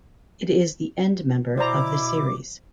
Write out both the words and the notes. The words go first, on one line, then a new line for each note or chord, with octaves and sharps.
It is the endmember of the series.
B2 E4 C5 D5 A#5 D6